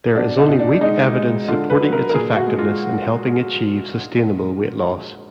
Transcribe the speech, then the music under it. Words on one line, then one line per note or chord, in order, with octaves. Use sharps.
There is only weak evidence supporting its effectiveness in helping achieve sustainable weight loss.
B2 D4
D#4
B2
D4
G#3 D#4
G#3
D3 F4
B4
F#3
A#4
A#4
A#2 G#4
F#4
G#3
F4